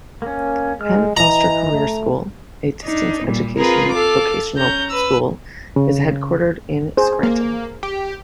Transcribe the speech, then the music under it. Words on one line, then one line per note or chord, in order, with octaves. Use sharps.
Penn Foster Career School, a distance education vocational school, is headquartered in Scranton.
A#3 C#4
G#3 F6
E3 D#5 A#5
A3
D4 D#4
A#2 G3
C4 F4 G#4 A#4 B4
A4 F5 D6
C#4 A#5 G6
B4 E6
C#3
G#4 C5
A#3
G4